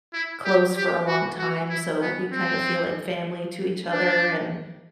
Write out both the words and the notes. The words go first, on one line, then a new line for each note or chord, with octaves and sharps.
close for a long time, so we kinda feel like family to each other, and,
E4
G4
G4
F#4
F#4
E4
B3
C4
D4